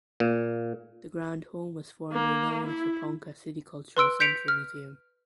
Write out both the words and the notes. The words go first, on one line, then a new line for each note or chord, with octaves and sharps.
The Grand Home was formerly known as the Ponca City Cultural Center Museum.
A#2
A#3
E4
B4 C6 E6 D7
G6 B6 C#7 D7 F7
F6